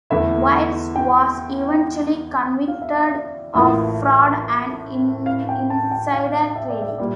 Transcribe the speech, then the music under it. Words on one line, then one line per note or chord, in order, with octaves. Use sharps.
Wiles was eventually convicted of fraud and insider trading.
E2 D3 A3 E4 E5
G5
F5
E5
F5
D5
A1 A2 E3 A#3 F4 E5
F5
G5
A5
G5
F5
E5
D5
E5
A#2 G3 D5